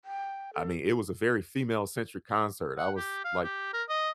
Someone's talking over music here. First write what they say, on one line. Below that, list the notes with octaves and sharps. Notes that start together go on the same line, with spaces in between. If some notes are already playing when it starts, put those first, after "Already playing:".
I mean, it was a very female-centric concert, I was like
G5
A4
F#5
G4
F5
G4
A#4
D#5